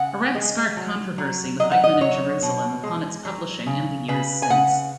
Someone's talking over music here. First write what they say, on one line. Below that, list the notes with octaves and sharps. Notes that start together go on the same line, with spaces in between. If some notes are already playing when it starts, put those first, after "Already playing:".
Arendt sparked controversy with "Eichmann in Jerusalem" upon its publishing and the years since.
Already playing: C#3 F#5
G#3
F#3
F#3
F#3 D#5
F#5
D#5
F#3 C#5
B2
G#3
F#3
C#3
C#3 B4
G#5
C#3 F#5